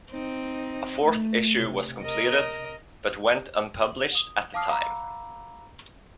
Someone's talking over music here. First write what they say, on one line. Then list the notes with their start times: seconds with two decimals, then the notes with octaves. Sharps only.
A fourth issue was completed but went unpublished at the time.
0.11 C4 D#4
1.04 A3
1.56 C3
2.02 A#4 D#5
3.84 F#7
4.15 D#6
4.54 F5 A5 D6 D#6 F6 C7
4.69 F5 F#5 A#5 B5 D6 E6